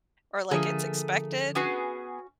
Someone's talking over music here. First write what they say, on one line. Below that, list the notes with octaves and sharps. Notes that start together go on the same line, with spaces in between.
or like, it's expected,
D3 F3 A3 A#3 G#4 D#6
B3 C#4 F#4 G#4